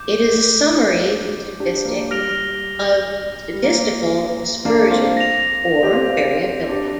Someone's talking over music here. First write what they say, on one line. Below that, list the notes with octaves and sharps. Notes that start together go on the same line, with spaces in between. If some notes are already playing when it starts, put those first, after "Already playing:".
It is a summary statistic of statistical dispersion or variability.
Already playing: D6 G6
D4 G4
A#3
G3 F6 A#6 D7 F7
G3
A#3
A#3 D4
C4 F4
A#6 F7
G4
C4 F4
D4 G4